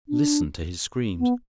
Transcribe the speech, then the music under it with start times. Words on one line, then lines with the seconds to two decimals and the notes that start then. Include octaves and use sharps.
Listen to his screams!
0.09 D4
1.19 B3